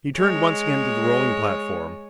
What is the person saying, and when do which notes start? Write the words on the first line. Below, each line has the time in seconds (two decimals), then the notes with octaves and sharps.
He turned once again to the rolling platform.
0.16 G#3 C#5